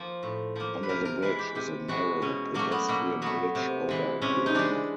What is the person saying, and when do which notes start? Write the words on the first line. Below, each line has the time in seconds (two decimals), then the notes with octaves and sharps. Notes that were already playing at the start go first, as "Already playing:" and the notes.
Under the bridge is a narrow pedestrian bridge over Glomma.
Already playing: F3 A#3
0.23 A2
0.56 F3 A#3
0.83 B4
0.89 C3 A#4
1.05 A#4
1.22 E3 G#3 B4
1.39 G4
1.55 C3 G4
1.88 E3 G#3 F#4
2.22 B2 C#4
2.54 F#3 A3 A#3
2.72 B3
2.88 B2 A#3
3.22 F#3 A3 B3
3.55 C3
3.89 E3 G#3
4.22 C3 C#4
4.46 D#4
4.55 E3 G#3 D4